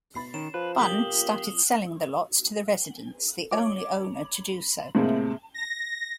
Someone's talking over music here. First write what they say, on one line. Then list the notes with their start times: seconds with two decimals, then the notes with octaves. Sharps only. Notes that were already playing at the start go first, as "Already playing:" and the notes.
Bunn started selling the lots to the residents, the only owner to do so.
0.15 B2 B5 A6 C7
0.34 D#3 C#4 E7
0.54 F3 B4
0.80 C3 F3 A#3 C#4 G4 D#6 F#7 G7
3.51 C#5 D6
4.95 A2 C3 G#3 A#3
5.54 A#6